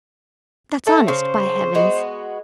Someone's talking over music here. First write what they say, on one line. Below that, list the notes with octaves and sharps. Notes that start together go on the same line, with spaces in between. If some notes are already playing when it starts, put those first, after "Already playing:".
That's honest, by heavens!
A3 A4
C#3 C5
G#3 B3 F#4